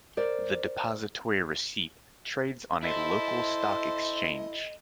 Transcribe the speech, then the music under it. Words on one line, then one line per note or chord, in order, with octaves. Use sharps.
The depositary receipt trades on a local stock exchange.
A#4 C5 D5
E4 A4 C5 D#5